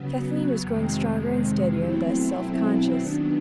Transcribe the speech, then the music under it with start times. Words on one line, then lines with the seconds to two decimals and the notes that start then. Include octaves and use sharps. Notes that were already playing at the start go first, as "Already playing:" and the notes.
Kathleen was growing stronger and steadier and less self-conscious.
Already playing: C#3 F#3 B3
0.62 F2 C3 D#3 G#3
1.78 B2 F#3 A3 C4 E4
2.96 D#3 F#3 B3 D4